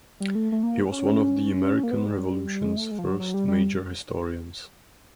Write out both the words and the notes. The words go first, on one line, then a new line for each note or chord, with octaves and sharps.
He was one of the American Revolution's first major historians.
G3
A3
A3
A#3
C#4
A#3
B3
G3
G#3
A3
G#3
F3
F#3
F#3
G3
G3